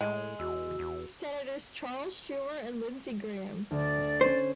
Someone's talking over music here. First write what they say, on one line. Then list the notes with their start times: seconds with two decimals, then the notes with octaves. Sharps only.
Senators Charles Schumer and Lindsey Graham.
0.01 A2 G#3
0.39 E2 F#4 E6
0.79 E2
3.71 D2 D5
4.21 C#4 C5 D#7